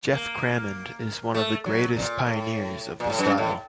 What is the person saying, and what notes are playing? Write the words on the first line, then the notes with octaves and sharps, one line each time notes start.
Geoff Crammond is one of the greatest pioneers of the style.
A#3
A3
F#3
A#2
A2
A#2
A2
F#2
A2